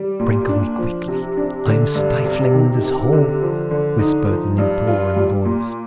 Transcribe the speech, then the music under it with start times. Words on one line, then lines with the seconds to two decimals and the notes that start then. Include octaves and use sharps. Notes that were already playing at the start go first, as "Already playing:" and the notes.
"Sprinkle me quickly; I am stifling in this hole," whispered an imploring voice.
Already playing: G3
0.20 A#2
0.49 D4
0.79 F3
1.08 C3
1.37 D4
1.66 D3
1.95 G2
2.25 C3
2.53 D#3
2.83 C3
3.13 D3
3.42 F3
3.71 D3
3.99 D#4
4.29 F3
4.58 G2
4.87 F4
5.16 G3
5.45 A#2